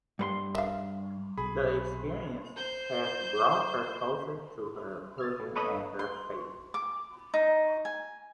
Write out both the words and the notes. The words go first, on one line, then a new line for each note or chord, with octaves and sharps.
The experience has brought her closer to her husband and her faith.
G2 B4 C6
E5 F5
B1 G#4 B5
C5 G6
F6 G#6 A6
A2
A4 B4 C#5 D#5 B5
C6
D6
D#4
G#5